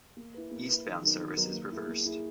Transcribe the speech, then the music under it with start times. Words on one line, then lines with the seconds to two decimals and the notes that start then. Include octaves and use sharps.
Eastbound service is reversed.
0.17 A#3
0.34 E4 B4
0.51 A#3
0.68 E4 B4
0.85 D#3
1.02 F#3 B3 D#4 A#4
1.20 D#3
1.37 F#3 B3 D#4 A#4
1.53 A#3
1.71 E4 G#4
1.88 A#3
2.05 E4 G#4